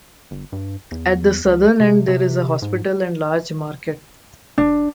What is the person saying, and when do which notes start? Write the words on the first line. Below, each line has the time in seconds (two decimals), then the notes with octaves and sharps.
At the southern end there is a hospital and large market.
0.31 G1
0.52 G2
0.91 E2
1.45 C#2
1.80 C3
2.08 C3
2.62 G#2
4.58 F1 D4